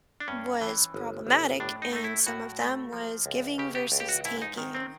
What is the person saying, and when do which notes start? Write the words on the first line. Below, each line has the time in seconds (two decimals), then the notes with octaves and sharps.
was problematic in some of them was giving versus taking,
0.20 D4
0.28 G2 C#4
0.61 E3
0.94 G1
1.27 G1
1.60 A2 D4
1.82 D#4
1.93 A3 D#4
2.04 E4
2.27 A2 F#4
2.60 A3
2.93 F3
3.26 C#2
3.58 C#3 G4
3.75 G4
3.92 C#2
4.00 G4
4.09 F#4
4.25 G#2 E4
4.42 D#4
4.58 D#3
4.75 C4